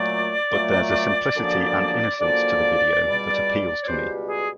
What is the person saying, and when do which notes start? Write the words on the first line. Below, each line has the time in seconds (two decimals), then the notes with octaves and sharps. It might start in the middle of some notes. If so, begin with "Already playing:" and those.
But there's a simplicity and innocence to the video that appeals to me.
Already playing: A#2 F#3 A3 D5
0.52 A#2 F#3 A3
1.36 F#2 D3 F3 A#3
2.19 F#2 D3 F3 A#3 D5
3.02 C#2 B2 G3
3.82 C#5
3.87 C#2 B2 G3 C5
4.28 G#4